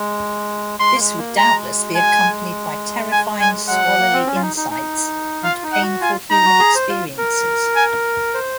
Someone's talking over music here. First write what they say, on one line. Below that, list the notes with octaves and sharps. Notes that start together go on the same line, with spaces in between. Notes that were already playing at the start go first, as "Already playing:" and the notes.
This would doubtless be accompanied by terrifying scholarly insights and painful human experiences.
Already playing: G#3
G#3 C6
A#3
G#3
A#3
G#3 A#5
G#5
G#5
G#5
F#3 F#5
F3
A#3
C4
C#4
F4
D#4
D#4
D#4
F4 F5
D#4
F#5
F#4
F4 G#5
D#4 A#5
F#4
G#4
C5
F4
A#4
G#5
C5